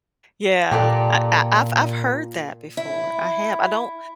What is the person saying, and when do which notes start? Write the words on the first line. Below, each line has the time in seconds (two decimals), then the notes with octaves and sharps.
Yeah. I I I've I've heard that before, I have. I don't
0.72 A#2 G4 A4 D5
2.77 E4